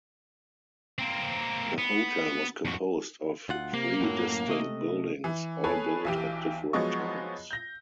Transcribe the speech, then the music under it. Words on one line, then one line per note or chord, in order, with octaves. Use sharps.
The hotel was composed of three distinct buildings all built at different times.
A#3 C4
B3
F2 F#4
D2 F4 F#5
C3 A#3
F#2 A2 F#3
C3 A3 D#5
E3
G#4 A4 B4 C#5 G#5
B1 E3 G4
F3 F#3 G#3 B3 D#5 C#6
G6 A#6